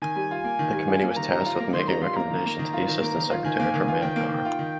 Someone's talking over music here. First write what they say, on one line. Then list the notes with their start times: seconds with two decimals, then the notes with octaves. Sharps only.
The Committee was tasked with making recommendation to the Assistant Secretary for Manpower.
0.02 D#3 G#5
0.16 G3
0.31 F4
0.44 A#3
0.59 D#3
0.73 G3
0.87 F4
1.02 A#3
1.11 G#5
1.16 D#3 A#5
1.31 G3
1.45 F4
1.60 A#3
1.73 D#3 C6
1.88 G3 A#5
2.02 F4 C6
2.16 A#3 A#5
2.30 D#3
2.46 A#3
2.59 D#3
2.73 F4
2.88 D#3
3.02 A#3
3.16 D#3
3.31 F4
3.44 D#3 G#5
3.60 A#3
3.74 D#3
3.88 F4
4.02 D#3 G5
4.16 A#3
4.30 D#3
4.45 F4
4.59 D#3